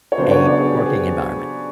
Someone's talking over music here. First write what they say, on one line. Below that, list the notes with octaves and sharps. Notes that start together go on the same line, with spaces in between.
a working environment.
C#5
C#3 F#3 B3 D4 C5
C#5
D5
G#4
G4
G#4